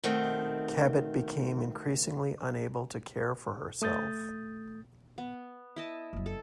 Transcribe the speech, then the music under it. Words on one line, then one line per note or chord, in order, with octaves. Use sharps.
Cabot became increasingly unable to care for herself.
B2 D#3 A3 C4
A3 D#6 G6 A6
B3
E4 D#5 A5
F#1 F#3
A4